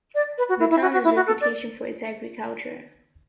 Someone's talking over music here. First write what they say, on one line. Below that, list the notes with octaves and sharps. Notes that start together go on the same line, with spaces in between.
The town has reputation for its agriculture.
D5
B4
F#4
E4
E4
F#4
F#4
E4
F#4
A4
D5